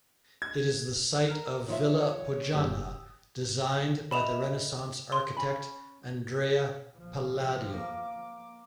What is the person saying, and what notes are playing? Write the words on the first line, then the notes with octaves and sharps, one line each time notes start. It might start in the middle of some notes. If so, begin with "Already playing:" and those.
It is the site of Villa Pojana, designed by the Renaissance architect Andrea Palladio.
G#6
A#4 F6
D#3 F3 D#4 F4 C#5 E5
F#1 G4 D#6 E6
A#4 D#5 E5 B5 E7 F7
C6
C#4 G#5 B5
A#1 F3
A#3 D6